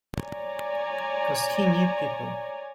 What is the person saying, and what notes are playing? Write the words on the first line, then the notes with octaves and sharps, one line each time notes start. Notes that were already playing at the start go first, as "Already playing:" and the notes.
'Cos he knew people.
C#5 D5 G#5 A#5